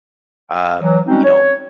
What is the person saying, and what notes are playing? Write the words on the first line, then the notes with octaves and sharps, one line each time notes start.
um, you know,
E3 F#3
G3 G#3 C4 C#4 D#4 F#4
C#5